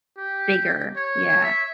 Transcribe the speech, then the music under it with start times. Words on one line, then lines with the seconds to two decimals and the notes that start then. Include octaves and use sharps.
bigger, yeah.
0.18 G4
0.96 C#5
1.43 E5